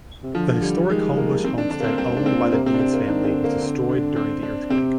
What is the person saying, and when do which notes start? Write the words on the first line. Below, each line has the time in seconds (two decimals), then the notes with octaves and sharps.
The historic Homebush Homestead owned by the Deans family was destroyed during the earthquake.
0.23 C3
0.35 D3 F3
0.62 G3
0.89 D#3 G#3
1.17 A#3
1.44 D#3 C4
1.58 D4
1.71 D3 D4
1.80 A#3
1.84 C4
1.98 G2 C4
2.16 G#2 D4
2.26 C4
2.34 A#2
2.52 C3 A#3
2.66 C4
2.74 D4
2.80 C4
2.93 A#3
3.07 D#3 D4
3.25 C4
3.34 D3
3.44 A#3
3.62 C4
3.89 D4
4.16 C4
4.43 D4
4.70 C3 C4